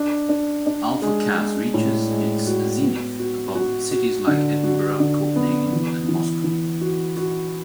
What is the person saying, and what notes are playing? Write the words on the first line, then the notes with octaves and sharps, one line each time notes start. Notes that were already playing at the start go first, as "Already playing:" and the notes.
Alpha Cas reaches its zenith above cities like Edinburgh, Copenhagen and Moscow.
Already playing: D4
D4
D4
G#3
G#3
A2
G#3
F#4
B3
F#4
F#4
F#4
D3
F#4
D3
B3
E3
E3
E3
F#4
F#4